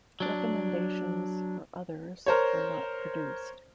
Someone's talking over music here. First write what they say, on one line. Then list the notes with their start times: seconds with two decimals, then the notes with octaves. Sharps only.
Recommendations for others are not produced.
0.20 F#3 D4
2.26 A#4 C5 C#5